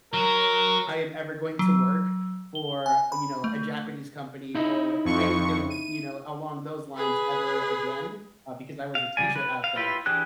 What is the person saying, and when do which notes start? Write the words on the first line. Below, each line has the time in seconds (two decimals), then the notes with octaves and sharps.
I am ever going to work for, you know, a Japanese company or anything, you know, along those lines ever again, uh, because I was a teacher out there,
0.13 F#3 A#4
1.59 F#3
2.55 G7
2.86 G#5
3.12 B5
3.44 A3
4.55 D#4 E4 D#5
5.05 F2 C#6
5.70 D#7
6.96 G#4 B4
8.95 F5
9.17 C#3 G3 D5 G#5
9.35 B4
9.64 F5
9.76 E4 F4 G4 B4
10.06 E3 D4 G4 G#4 F#6